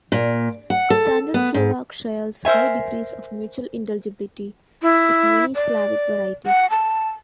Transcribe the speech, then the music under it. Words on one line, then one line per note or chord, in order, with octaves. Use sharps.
Standard Slovak shares high degrees of mutual intelligibility with many Slavic varieties.
A#2
F#5
A4
B3
G#2
A#4 C5 E5 G#5
E4
D5
F#5
A5